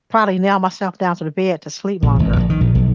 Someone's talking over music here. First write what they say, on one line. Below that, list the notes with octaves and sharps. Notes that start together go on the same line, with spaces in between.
probably nail myself down to the bed to sleep longer.
A#1
G#1
A#1
D#3
A#1
B1